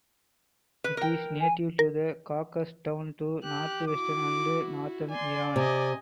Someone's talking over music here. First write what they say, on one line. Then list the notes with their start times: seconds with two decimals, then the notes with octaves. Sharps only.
It is native to the Caucasus down to north western and northern Iran.
0.84 B4
0.97 A#4 G5
1.41 G#5
1.79 A#4
3.44 G4 F#6
3.87 E4 F#4 D6
5.10 D5 G#5 C6
5.56 C3 D#5 G#5